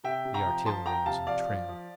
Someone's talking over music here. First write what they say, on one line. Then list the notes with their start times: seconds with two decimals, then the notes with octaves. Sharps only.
The artillery was in trim.
0.04 C3 E5 G5
0.25 C3
0.34 G5 A#5
0.46 F3
0.65 F3 A5 C6
0.86 F3 G5 A#5
1.06 C3 F5 A5
1.27 F3 D5 F5
1.47 F3
1.68 F3